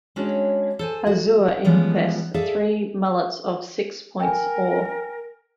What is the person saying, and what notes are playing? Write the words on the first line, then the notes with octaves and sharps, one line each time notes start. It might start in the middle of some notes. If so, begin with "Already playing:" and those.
Azure in fess three mullets-of-six-points or.
G#3 C#4 D4 F#4 C#5
A4 C5 G#5
F#4
E3 F3 G3 G#3 B3 C#4
G#4 A4 D5 E5 F5
A#4 G5 G#5